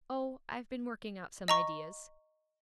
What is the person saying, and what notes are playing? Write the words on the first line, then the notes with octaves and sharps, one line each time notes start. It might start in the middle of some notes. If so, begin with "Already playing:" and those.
'Oh--I've been working out some ideas.'
D#5 A#5 C#6